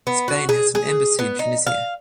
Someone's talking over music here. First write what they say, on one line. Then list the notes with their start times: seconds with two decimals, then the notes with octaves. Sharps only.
Spain has an embassy in Tunisia.
0.07 B3
0.28 F#4
0.49 G#4
0.75 G#4
1.19 B3
1.39 D#4
1.67 F5